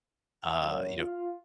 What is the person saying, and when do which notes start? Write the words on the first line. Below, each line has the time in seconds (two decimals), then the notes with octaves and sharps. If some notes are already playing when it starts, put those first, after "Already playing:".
uh, you know.
0.61 F#2
0.96 F4